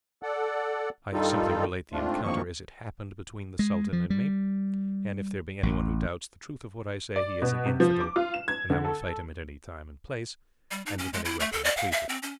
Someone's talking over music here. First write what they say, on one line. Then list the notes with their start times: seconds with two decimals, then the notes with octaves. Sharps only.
I simply relate the encounter as it happened between the Sultan and me; and if there be any one who doubts the truth of what I say, he is an infidel, and I will fight him at any time and place, and with any weapon he pleases.
0.23 A4 D5 F#5
1.13 G2 D#3 G3 D#4 F4 A4
1.93 G#2 A3 C4 D4 F4
2.24 D2 C3 D#3 F3 A#3 C#6
3.59 G#3
3.93 F3
4.10 G3
5.63 A1
7.16 D5
7.42 B2
7.66 C3
7.80 F3
8.00 D6
8.16 F4
8.34 E7
8.48 G#6
8.70 D3
8.85 A4
10.71 G3
10.86 D#4
10.98 C#4
11.13 G#3
11.25 E4
11.40 A3
11.52 A4
11.64 D5
11.77 F5
11.92 E5
12.09 C4
12.23 C#4